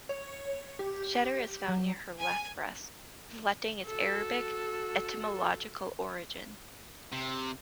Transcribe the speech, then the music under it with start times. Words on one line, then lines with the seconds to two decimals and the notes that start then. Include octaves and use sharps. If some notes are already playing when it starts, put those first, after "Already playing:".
Schedar is found near her left breast, reflecting its Arabic etymological origin.
0.09 C#5
0.79 G4
1.68 F#3
2.20 G#5
3.87 F#4 A4
7.12 C3